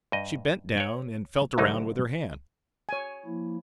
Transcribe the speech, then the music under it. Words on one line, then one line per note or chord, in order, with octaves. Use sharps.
She bent down and felt around with her hand.
G2 D#5
C#5 G5
C2 D3 F#3 D#4
C#5 G#5
F3 A#3 E4